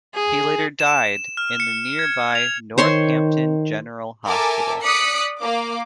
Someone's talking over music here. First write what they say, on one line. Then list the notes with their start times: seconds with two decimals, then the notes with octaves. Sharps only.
He later died in the nearby Northampton General Hospital.
0.15 G#4
0.80 E7
1.37 F6
1.60 C#7
1.99 G#6
2.35 F7
2.78 D#3 C5 C#5 C6
4.27 A4 A#4 E5 G#5 A5 D6
4.82 D5 D6 D#6 F#6 B6 C#7
5.38 A#3 D6